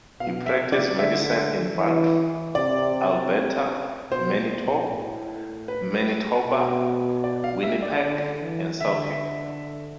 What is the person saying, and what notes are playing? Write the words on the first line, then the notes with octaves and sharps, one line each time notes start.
He practised medicine in Banff, Alberta, Manitou, Manitoba, Winnipeg and Selkirk.
B2 F5
E5
C3
D5
D3 E5
E3
C3 D5
B2 C5
B2
A2
B4
B2
D5
F5
E5
D5
D3
E3
D3 E5